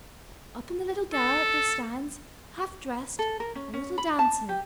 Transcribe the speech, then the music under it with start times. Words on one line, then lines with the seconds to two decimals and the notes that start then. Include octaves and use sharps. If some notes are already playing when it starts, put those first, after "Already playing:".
Up in the little garret there stands, half-dressed, a little Dancer.
1.13 A4
3.19 A4
3.40 A#4
3.55 C#4
3.74 C#4
3.98 B5
4.19 A5
4.49 G4